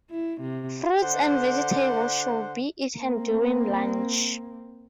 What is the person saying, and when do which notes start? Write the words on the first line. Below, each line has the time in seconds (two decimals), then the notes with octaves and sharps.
Fruits and vegetables should be eaten during lunch.
0.10 E4
0.41 C3
1.02 D3 C5 D5 F#5
2.97 A#3 C4